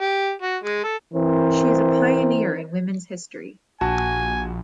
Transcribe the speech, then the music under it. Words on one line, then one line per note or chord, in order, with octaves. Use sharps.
She is a pioneer in women’s history.
G4
F#4
G#3
A4
E3 C4 A#4 C5
A#1 F#4 G#5 A5